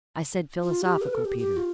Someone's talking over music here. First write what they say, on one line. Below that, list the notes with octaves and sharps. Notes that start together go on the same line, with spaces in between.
"I said 'philosophical,' Peter."
F4
G4
B4
A4
G4
G4
F4